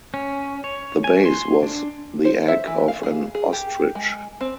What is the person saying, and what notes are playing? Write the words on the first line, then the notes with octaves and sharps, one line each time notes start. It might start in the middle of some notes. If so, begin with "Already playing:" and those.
The base was the egg of an ostrich.
C#4
C#5
G#5
C6
D4
C5
E5
E3
F5
G#4
G#4
G4
G#3
C4